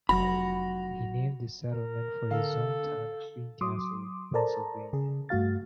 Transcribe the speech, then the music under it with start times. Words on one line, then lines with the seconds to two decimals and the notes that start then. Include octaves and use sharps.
He named the settlement for his hometown of Greencastle, Pennsylvania.
0.09 F1 F#3 F#4 B5 A#6 F7
1.73 A#4
2.31 D3 A4 F5
3.61 F#3 C6 D6 D#6
4.34 A4 A#4 C5 D5 A5 A#5
4.93 C#3 G#4
5.29 G2 A3 F#4 F5 A6